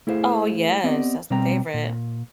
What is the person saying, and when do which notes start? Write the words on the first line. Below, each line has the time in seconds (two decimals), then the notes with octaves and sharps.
Oh, yes. That's my favorite.
0.07 A3 E4 G#4 C5 F5
0.84 B3 C4 G4 D5 D#5
1.30 B2 G3 C4 C5 G5 A#5
1.74 A#2